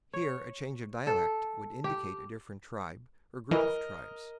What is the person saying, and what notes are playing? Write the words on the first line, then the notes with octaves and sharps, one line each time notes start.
Here, a change of dialect would indicate a different tribe, or group of tribes.
C#5
A4
G4
E3 A#4 D#5